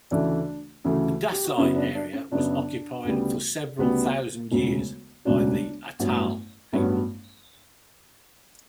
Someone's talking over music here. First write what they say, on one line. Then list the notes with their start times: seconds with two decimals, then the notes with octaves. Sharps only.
The Dasi area was occupied for several thousand years by the Atayal people.
0.11 D2 C#3 E3 A3 D4
0.84 D2 C#3 E3 A3
1.32 G4
1.44 F#4
1.57 F#2 C#3 F#3 B3 C#4 E4
1.76 D4
1.95 D4
2.13 C#4
2.31 F#2 C#3 F#3 B3 D4
3.04 D2 C#3 G3 B3
3.78 D2 C#3 G3 B3
4.52 E1 D2 C#3 F#3
5.25 E1 D2 C#3 F#3 D4
5.99 A1 G2 F#3 B3
6.72 A1 G2 F#3 B3 C#4